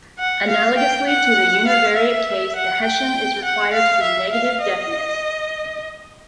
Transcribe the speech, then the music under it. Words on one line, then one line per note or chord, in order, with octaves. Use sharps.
Analogously to the univariate case, the Hessian is required to be negative definite.
F#5
F5
G5
F#5
F5
E5
F#5
G5
F#5
F5
E5
F5
D#5